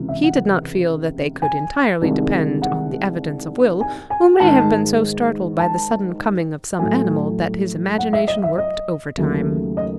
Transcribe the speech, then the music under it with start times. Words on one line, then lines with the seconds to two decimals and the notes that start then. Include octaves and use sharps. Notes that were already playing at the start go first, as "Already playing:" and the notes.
He did not feel that they could entirely depend on the evidence of Will, who may have been so startled by the sudden coming of some animal that his imagination worked overtime.
Already playing: C#2 C3 E3
0.09 E5
0.23 F#5
1.42 G#5
2.02 C2 C3 D#3 G#3
2.62 F#5
3.81 G#5
4.10 G#5
4.40 G#2 D#3 G#3 A5
5.59 A5
6.79 A2 F#3 A3 G#5
7.98 F#5
8.13 E5
8.28 D#5
8.43 E5
8.58 D#5
9.17 D#2 C#3 F#3 A3
9.77 D#5